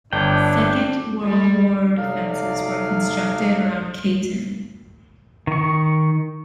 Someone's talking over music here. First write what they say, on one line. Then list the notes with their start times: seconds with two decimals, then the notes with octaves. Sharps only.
Second World War defences were constructed around Cayton.
0.13 G1 D4 G5
1.23 G3
1.98 C3 F#3 D#4 A4 D5 F5
5.47 D#3 C#6